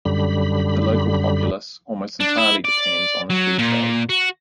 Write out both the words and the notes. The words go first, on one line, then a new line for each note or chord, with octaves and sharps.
The local populace almost entirely depends on the tea trade.
F#2 D3 G3 B5
D4
E4
D5
F#3
A#2
F#4